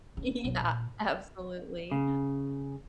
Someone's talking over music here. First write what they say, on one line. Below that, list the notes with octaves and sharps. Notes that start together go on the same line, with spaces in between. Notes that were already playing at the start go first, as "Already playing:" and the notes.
Yeah. Absolutely.
C#3
B1
A#2
C#3